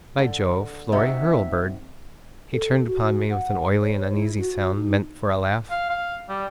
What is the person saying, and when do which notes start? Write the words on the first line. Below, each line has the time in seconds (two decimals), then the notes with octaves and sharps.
"By Jove: Florry Hurlbird." He turned upon me with an oily and uneasy sound meant for a laugh.
0.19 D3
0.92 C3 D#4 F#4 E5
2.53 A4
2.87 F#4
3.30 F#5
3.82 C#5
4.14 E4
4.38 F#4
4.76 D#4
5.71 F5
5.89 F5
6.29 G3